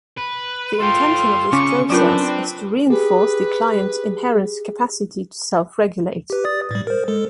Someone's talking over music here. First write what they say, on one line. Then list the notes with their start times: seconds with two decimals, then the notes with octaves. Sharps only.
The intention of this process is to reinforce the client's inherent capacity to self-regulate.
0.17 B4
0.80 F4 A4 G5 C6
1.53 C#3 C#4 C#6 D6
1.90 F#3 C4 D4 F4 A#4 B4
2.90 G4 G#4 B4
6.30 G4 B4
6.44 D5 D#6 A6
6.71 A2 G3
6.87 A#4 C5
7.08 G#3 A4